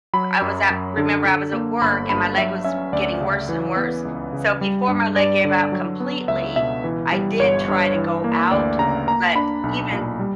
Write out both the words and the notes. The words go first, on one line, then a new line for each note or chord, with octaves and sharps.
I was at remember I was at work and my leg was w getting worse and worse. So before my leg gave out completely, I did try to go out. But even
F#3 B5
F#2
F#2
D3
D3
A#3
G1 B5
G2 B5
F#3 E5
C#4 E5
D2 D5
C#3
E3
B3
C#2
C#3
G3
G2
G2 D5
D3
F#3
B3
C#2 E5
B2 E5
E3
G3
G1 C#5
G2
E3
A#3
D2 D5
C#3 A#5
A#3 A#5
D4 B5
B1
A#2
G3